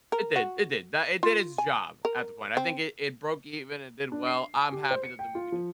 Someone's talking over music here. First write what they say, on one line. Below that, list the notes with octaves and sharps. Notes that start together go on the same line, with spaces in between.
It did it did. That it did its job at the point. I think it it broke even. It did well. I'm happy that the movie did well.
A#4
F#4
F4
G#5
A#4
C4
D4
C7
G#5
G4
C5
C#7
G5
F4
F3